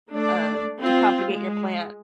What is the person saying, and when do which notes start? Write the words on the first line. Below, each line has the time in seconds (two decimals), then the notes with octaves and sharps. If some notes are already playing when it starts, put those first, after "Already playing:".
um, to propagate your plant."
0.12 A3 D4 D5
0.79 C4 F4
1.30 G#3